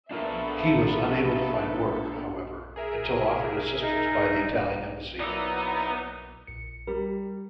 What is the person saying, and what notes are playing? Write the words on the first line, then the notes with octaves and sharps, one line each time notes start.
He was unable to find work, however, until offered assistance by the Italian Embassy.
B3 D4 F4 A4 A#4 E5
G#4 A#4 E5
D#4
F#3 A#3 B3 D#4 E4 D5 D6 E6
A#1 C#7
G3 A#4